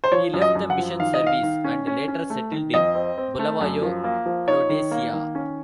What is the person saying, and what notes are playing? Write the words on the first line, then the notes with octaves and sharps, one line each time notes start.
He left the mission service and later settled in Bulawayo, Rhodesia.
C5
F3 C#5
F#2
D#5
F#2
F#5
F3
D#3 F5
D#5
D#3
F5
D#3
C#4
C#4
C#4
A3
D#3
F2 D#5
C4
C4
A3
F#2
F3
A#3
F3
D#4 C#5
D#3
A#3
D#3
C#4